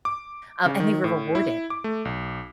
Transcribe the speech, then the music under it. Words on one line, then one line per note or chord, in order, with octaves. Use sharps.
Um, and they were rewarded
D6
C#3
D#3
A2
E4
D6
A3
B1